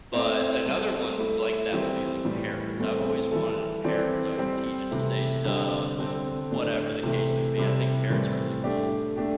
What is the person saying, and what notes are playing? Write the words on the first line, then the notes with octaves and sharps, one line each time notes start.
but another one w like that, would be, like, parrots. I've always wanted a parrot so I can teach it to say stuff, and whatever the case may be, I think parrots are really cool,
A3 C4 E4
G3 C4 A4
A3 E4 A4
E3 G3 C4 G4
A2 E3 G3
E3 A3 C4
E3 G3 E4 A4
E3 C4 A4 D5
G3 C4 G4 C5
C3 E3 A3 E4
D3 G3 C4 G4
D3 C4 A4
A2 A3 D4
C3 E3 A3
C3 G3 E4 A4
A2 E3 G3 C4
A3 D4 G4 D5
A3 D4 G4